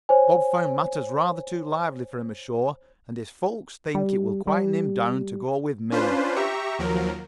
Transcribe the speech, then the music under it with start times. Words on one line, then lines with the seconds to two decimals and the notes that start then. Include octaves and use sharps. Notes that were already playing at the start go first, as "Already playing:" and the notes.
"Bob found matters rather too lively for him ashore, and his folks think it will quiet him down to go with me."
0.09 C5 C#5 G#5
3.95 G3
4.47 G3
5.92 C#4 D4 F4 B4 C5
6.36 G4 E5 A#5 C#6
6.79 D#2 F3 F#3 A#4